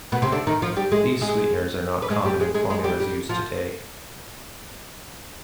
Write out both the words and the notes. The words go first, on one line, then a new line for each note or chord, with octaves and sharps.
These sweeteners are not common in formulas used today.
B2 B3
C3 C4
D3 D4
D#3 D#4
F3 F4
G3 G4
G#3 G#4
G#3 G#4
B4
G#3 G#4
G3 G4
G#3 G#4
G#3 G#4
G#3 G#4
G3 G4
G3 G4
F3 F4